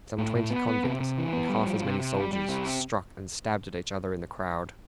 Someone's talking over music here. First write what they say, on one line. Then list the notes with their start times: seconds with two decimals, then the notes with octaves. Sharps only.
Some twenty convicts, and half as many soldiers, struck and stabbed at each other in the crowd.
0.18 A2
0.35 A2
0.50 B3
0.67 B3
0.84 C3
1.00 C3
1.17 E3
1.33 B3
1.49 G3
1.66 F3
1.83 C3
2.00 C3
2.16 G3
2.33 G3
2.49 C3